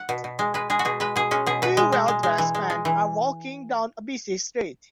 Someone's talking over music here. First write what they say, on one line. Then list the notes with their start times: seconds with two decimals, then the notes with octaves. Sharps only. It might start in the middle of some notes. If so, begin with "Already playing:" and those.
Two well dressed men are walking down a busy street.
Already playing: F#5
0.09 B2
0.24 B2
0.39 G#3
0.54 G#3 B4
0.70 G#3 G#4
0.79 F#4
0.85 B2 G#4
1.00 G#3 B4
1.16 B2 G#4
1.31 G#3 C#4
1.46 B2 G#4
1.62 B2 B4
1.77 G#3
1.92 G#3
2.08 G#3
2.23 G#3
2.38 E3
2.55 G#3
2.70 G#3
2.85 E3